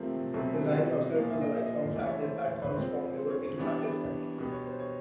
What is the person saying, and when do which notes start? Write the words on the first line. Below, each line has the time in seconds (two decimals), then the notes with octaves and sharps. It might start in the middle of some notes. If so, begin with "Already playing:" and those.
Resign yourself to the lifelong sadness that comes from never being satisfied.
Already playing: C3 F3 A3 C4 A#4
0.33 B2 F#3 A3 C4 A4
0.44 A4
0.54 G#4
0.64 G4
0.74 A4
0.94 D#5
1.14 A#2 F3 A#3 F5
1.27 E5
1.41 D#5
1.55 E5
1.67 D#5
1.95 E3 A3 C#4 D5
2.09 C#5
2.22 C5
2.36 C#5
2.50 C5
2.62 B4
2.76 F3 G#3 C4 C5
3.17 C5
3.30 C#5
3.39 C5
3.44 C#5
3.57 E3 G3 B3 D4
4.38 B2 G3 B3
4.52 C#5
4.66 C5
4.80 C#5